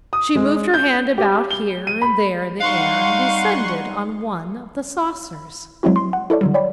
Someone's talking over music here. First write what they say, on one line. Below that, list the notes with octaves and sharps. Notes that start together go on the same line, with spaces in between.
She moved her hand about here and there in the air and descended on one of the saucers.
D#6
G#3
G6
G4
G7
D#7
B5
G3 D#4 F5 F#5 C6 C#6
F#3 G#3 C4 E4 F#4
C6
F#5
E4 A4 C#5 D5
D3 F#3 G3
C#5 D5 G5 B5